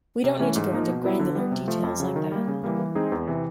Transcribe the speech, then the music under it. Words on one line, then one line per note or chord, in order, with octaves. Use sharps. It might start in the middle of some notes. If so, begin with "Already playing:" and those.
We don't need to go into granular details like that.
C3
E3 A3 C#4
G#2
F3 A#3 D#4
B2
F#3 B3 E4
D3
G3 B3
C3
F3 A3
F2
C#3 F#3
D#3
G3 A#3
C#3
E3 G3 A#3
E3
G#3 C4 D#4 G#4
E2
C3 E3